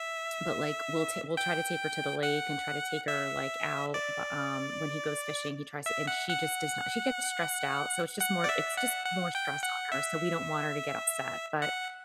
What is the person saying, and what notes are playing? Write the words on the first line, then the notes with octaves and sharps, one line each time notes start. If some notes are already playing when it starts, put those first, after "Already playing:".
but, like, we'll t we'll try to take her to the lake and try to take her, like, out, bu um, when he goes fishing, he tries to and she just does not she gets stressed out, so it's just more it's just more stress on her, so we don't want her to get upset, but,
Already playing: E5
G5
F#5
E5
D5
E5
F#5
F#5
F#5
D5
E5
F#5
F#5
G5
F#5
E5
F#5